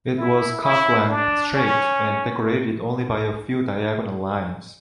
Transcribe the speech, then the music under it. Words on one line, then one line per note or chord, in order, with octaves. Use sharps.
It was calf-length, straight and decorated only by a few diagonal lines.
E4
E4
D4
C#4